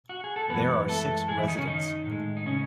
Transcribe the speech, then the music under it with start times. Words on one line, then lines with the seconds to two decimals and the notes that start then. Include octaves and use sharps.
There are six residents.
0.09 F#4
0.24 G#4
0.36 A4
0.49 F#2 E3 G#3 B3 B4
0.89 A3 A4
1.28 G#3 G#4
1.38 E3 E4
1.48 D#3 D#4
1.57 C#3 C#4
1.67 D#3 D#4
2.06 A2 G#3
2.37 D#4
2.46 C#3 C#4